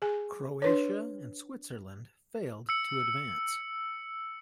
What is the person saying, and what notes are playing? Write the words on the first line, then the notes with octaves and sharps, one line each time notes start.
Croatia and Switzerland failed to advance.
G#4 G#5
D4 B4 C#5
E6 C#7